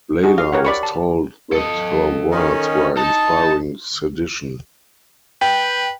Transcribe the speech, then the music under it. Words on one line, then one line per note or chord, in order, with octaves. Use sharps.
Leyla was told that her words were inspiring sedition.
D#4 F#4 G#4
F5
G4 A#4 C#5 F#5
D5 B5 C#6
A5
A4 D#5
D#3 C#4
D#4 A5
B4 G5